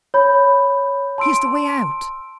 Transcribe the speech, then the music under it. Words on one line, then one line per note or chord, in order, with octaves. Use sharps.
"Here's the way out!"
C#5 B5 G6
A5 C6 E6 D7